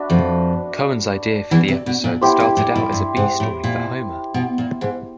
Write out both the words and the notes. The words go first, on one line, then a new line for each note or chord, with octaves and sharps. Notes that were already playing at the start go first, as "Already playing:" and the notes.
Cohen's idea for the episode started out as a B story for Homer.
Already playing: D4 F#4 B4 E5
F2 F3
E2 E3
C3
B2
A#2
A2 E4 G4 C5
A#2
A2
A2
G2
G#2
A2
A#2
B2
A#2
G#2